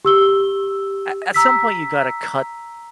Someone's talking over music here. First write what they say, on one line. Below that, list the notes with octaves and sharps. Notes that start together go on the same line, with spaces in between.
a at some point, you gotta cut
G4 E6 G7
A#5 E6 B6